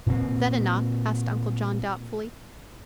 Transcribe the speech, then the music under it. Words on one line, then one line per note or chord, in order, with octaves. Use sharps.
"Is that enough?" asked Uncle John, doubtfully.
A#2 C4